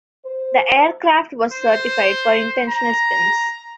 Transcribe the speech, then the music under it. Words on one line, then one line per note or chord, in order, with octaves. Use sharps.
The aircraft was certified for intentional spins.
C5
C5
A#5